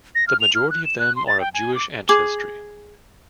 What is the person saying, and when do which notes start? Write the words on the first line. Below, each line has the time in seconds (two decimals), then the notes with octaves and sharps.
The majority of them are of Jewish ancestry.
0.15 A#6
0.28 F6
0.41 F7
0.55 F6
0.70 F#6
0.85 E7
0.99 F#6
1.16 C6
1.28 A6
1.40 G5
1.54 G#5
1.75 D6
2.09 G#4 D6